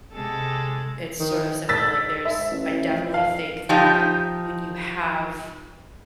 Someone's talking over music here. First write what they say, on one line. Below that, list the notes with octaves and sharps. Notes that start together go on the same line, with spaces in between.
it's sort of similar. Like, there's I definitely think that when you have,
C3 G#3 A4
D#3
G#2 E6 A6 B6
E5
A1
F2
F5
F3 D#4 G4